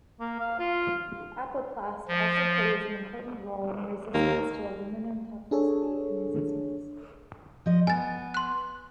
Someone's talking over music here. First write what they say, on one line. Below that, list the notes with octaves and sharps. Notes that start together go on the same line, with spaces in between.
The apoplast also plays an important role in resistance to aluminum toxicity and resistance.
A#3
F5
F4
F3
D#2 A#3
D4 G#4 A4 C#5
F3 D#5
B3 G#5 A6
C6 F#6